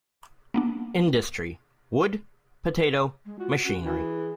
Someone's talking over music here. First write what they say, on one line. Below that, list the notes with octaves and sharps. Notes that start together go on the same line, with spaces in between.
Industry: Wood, potato, machinery.
A#3 B3 D4
G#3
F4 F#4
C#4 F#4
E3 F#4
G#4